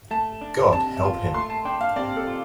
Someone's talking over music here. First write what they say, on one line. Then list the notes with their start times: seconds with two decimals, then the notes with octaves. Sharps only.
God help him!
0.11 A3 A5
0.41 D4
0.72 C3 A5
1.03 F4
1.34 A3 C6
1.50 A5
1.65 D4 G5
1.81 F5
1.96 C3 D5
2.16 A4
2.27 F4